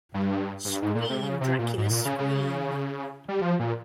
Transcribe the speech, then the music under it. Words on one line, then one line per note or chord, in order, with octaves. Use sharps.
Scream, Dracula, Scream!
G2
G#2
G2
G#2
A#2
C3
C#3
C3
A#2
G#2
A#2
C#3
C#3
G3
F3
A#2